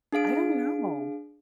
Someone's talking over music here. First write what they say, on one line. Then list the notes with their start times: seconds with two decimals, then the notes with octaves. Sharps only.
I don't know.
0.12 D4 G#4 F5 D7